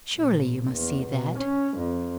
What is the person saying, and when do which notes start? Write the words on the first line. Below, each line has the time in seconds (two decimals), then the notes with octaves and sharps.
Surely you must see that.
0.16 A#1
0.74 E2
1.08 B2
1.39 C#4
1.78 F2